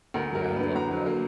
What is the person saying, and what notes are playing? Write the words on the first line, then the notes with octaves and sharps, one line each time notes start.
Yeah, I love that.
D2 A#4
F#3 A#4
A#3
D3 B4
D2 A#5
F#3
A#3